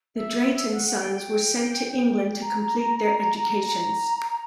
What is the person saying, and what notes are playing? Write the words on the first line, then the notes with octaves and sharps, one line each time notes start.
The Drayton sons were sent to England to complete their educations.
E5
F#5
F#5
G5
G5
A#5
A#5